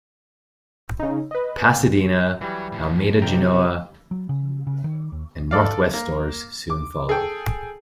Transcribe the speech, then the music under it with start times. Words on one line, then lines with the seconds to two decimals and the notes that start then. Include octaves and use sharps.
Pasadena, Almeda-Genoa, and Northwest stores soon followed.
0.99 C#3 D#4
1.31 B4 D#5
2.41 E3 F#3 G3
2.72 A2 F3
3.22 A1 C3 C4 G5 A#5
4.11 F#3
4.29 C#3
4.67 C#3
4.84 D#3
5.12 D#2
5.51 A4 D5 F5
5.94 A#3
6.70 D6
7.09 G#4 A4 G5